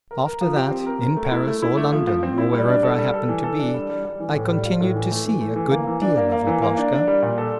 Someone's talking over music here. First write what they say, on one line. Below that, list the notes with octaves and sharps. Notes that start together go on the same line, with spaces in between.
After that, in Paris or London or wherever I happened to be, I continued to see a good deal of Laploshka.
A#4
A#4
F3
G4
C4
A#4
A#4
A3
E4
A3
E4
A3
F3
F3
C4
E4
G3
D4
A4
G3
A4
E3
A4
D4
G3
G3
G3
E3
A2
G3
F4
A2
E3
A3
E3
A3
E3
A#3
E3
D4
A#3
A#3
E3
A#3
D4
D4
G3
A#2
A4